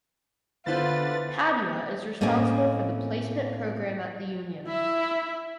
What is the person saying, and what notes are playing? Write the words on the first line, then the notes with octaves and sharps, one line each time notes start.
Padua is responsible for the placement program at the union.
D3 B3 E4 F4 B4 C5 A6
A2 A#3 C4 C#4 D#5 G#5
E4 E5